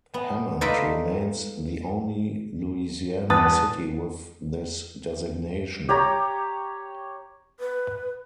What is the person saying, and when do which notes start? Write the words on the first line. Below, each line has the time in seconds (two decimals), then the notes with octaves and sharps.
Hammond remains the only Louisiana city with this designation.
0.14 B3
0.61 D#4 F4 A4 B4 D5 E5
3.30 E2 A5 D#6 F#6 A6
5.89 G4 C#5 A#5
7.60 B4